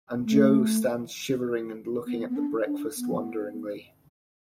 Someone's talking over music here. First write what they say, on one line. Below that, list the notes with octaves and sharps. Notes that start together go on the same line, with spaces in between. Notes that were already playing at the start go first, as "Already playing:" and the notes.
And Jo stands shivering and looking at the breakfast wonderingly.
A3
B3
B3
D4
D4
B3